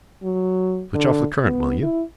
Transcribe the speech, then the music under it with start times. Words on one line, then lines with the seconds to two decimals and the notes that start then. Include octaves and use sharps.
Switch off the current, will you?
0.23 F#3
0.95 D3
1.44 B3
1.82 E4